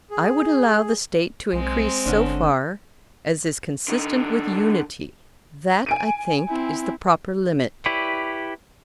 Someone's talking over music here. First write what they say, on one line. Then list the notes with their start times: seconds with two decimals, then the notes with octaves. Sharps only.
I would allow the State to increase so far as is consistent with unity; that, I think, is the proper limit.
0.11 G#4
1.53 B1 G#3 C4
2.06 G1 D3 C#4 D4
3.88 D3 D#4
5.86 G#5 D7 D#7
6.49 C4 E4
7.86 E4 G4 B4 C#5 D5